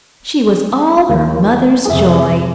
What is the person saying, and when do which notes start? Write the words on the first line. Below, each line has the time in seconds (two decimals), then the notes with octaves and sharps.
She was all her mother's joy.
1.09 D#2
1.85 F2 C3 G#4 E5